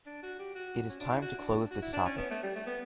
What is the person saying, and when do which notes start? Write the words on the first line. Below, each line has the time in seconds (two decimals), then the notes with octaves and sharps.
It is time to close this topic.
0.06 D4
0.23 F#4
0.39 G4
0.55 F#4
0.89 C#4
1.00 D4
1.12 E4
1.22 F#4
1.38 D4
1.71 F#4
1.82 E4
1.93 D4
2.05 C#4
2.17 B3
2.30 A3
2.43 G3
2.55 A3
2.67 B3